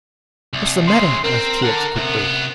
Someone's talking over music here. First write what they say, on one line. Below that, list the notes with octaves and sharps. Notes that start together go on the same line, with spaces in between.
"What's the matter?" asked T. X. quickly.
C2
C#3 E3 C6
C4 A#4
A4 F#5
C3 B3